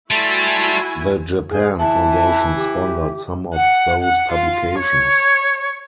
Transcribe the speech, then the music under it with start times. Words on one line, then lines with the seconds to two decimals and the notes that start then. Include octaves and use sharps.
The Japan Foundation sponsored some of those publications.
0.11 G3 A3 E4 F#4 G#5 A5 C6
1.50 G#4
1.79 E3 E4 A5
2.56 G4
3.55 F#5
4.02 F#5
4.32 F4
4.79 C#5